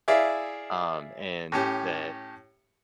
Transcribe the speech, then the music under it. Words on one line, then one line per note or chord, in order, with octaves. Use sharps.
um, and the
E4 G#4 D5 E5 F5
A2 C#4 G4